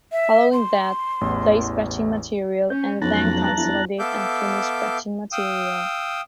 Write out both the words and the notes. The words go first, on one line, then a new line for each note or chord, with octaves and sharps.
Following that, place patching material and then consolidate and finish patching material.
E5
C6
A1 E2
C#4 G6
B1 F2 F3 F#3 C#4 A5 A#5 F#6
G1 E4
B3 A4 E5 F5 D6 G6
F5 G5 D#6 E6